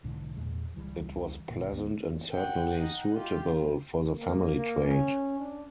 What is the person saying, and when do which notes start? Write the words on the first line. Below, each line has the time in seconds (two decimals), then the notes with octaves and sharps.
It was pleasant and certainly suitable for the family trade.
0.04 B1 G#2 D3 E3
0.36 E2 A#2 G#3
0.75 C#2 E3 G3
1.50 G1 A#2
1.69 D2 B3
2.32 F#5 G5
2.80 D#4 F#5
3.14 F4 G4
4.18 A#3
4.56 A#3
4.85 C#4
5.40 D4